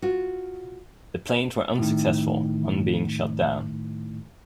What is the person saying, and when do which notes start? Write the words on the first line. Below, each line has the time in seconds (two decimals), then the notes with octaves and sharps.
The planes were unsuccessful, one being shot down.
0.02 F4 F#4
1.78 A2 D#3